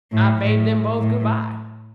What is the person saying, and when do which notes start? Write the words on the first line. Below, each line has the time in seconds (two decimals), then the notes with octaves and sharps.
I bade them both good- by.
0.11 A2
0.41 A2
0.98 A2